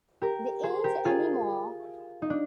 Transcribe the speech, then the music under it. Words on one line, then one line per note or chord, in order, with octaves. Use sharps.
There ain't any more.
G4 A#4
G#4 C5
G4 A#4
F4 G#4
D#4
D4